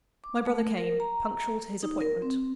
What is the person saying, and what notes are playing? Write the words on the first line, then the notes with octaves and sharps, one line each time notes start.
My brother came, punctual to his appointment.
D6
A3
A#4
A#5
D#4
A#4
C4